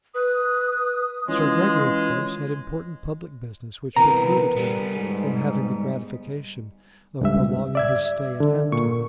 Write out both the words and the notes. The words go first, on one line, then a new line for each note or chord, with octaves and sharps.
Sir Gregory, of course, had important public business which precluded him from having the gratification of prolonging his stay at Hampton.
B4 D#6
E3 G#3 C#4 F4
C3 E3 B3 A#4 B4 A#5
G3 B3
G#2
C#2 G2 E5
D5 E5 G#6
D3
A#2 C#6